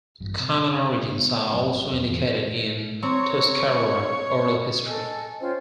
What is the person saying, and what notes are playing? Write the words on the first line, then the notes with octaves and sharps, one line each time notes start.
Common origins are also indicated in Tuscarora oral history.
A1 G2
C3
C#3 B3
F#1 F#3 C4 C#4
E2
G#2 E3
C4 C#5 A#5
A4 D#5 G#5
C#4 F4 C5 G5